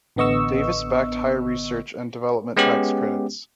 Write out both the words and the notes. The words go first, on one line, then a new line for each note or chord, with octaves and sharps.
Davis backed higher research and development tax credits.
A1 D3 B3 D#5 C#6 E6
G#3 B3 C#4 G4